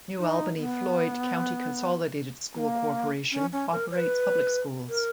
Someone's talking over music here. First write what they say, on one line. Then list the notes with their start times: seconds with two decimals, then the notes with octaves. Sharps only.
New Albany-Floyd County Consolidated School Corporation operates public schools.
0.19 D#4
0.58 B3
2.54 B3
2.58 A#3
3.32 C#4
3.52 C#4
3.72 A#4
3.91 C#5
3.96 B4
4.89 A#4